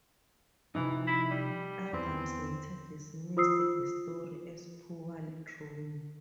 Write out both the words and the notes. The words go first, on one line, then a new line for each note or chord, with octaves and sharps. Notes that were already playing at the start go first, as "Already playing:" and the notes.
Adams later dismissed the story as poorly drawn.
C3 E3 F3 D#4
E4
G3
E2 E3 C4 B4
F4 C5 D#6 E6 C7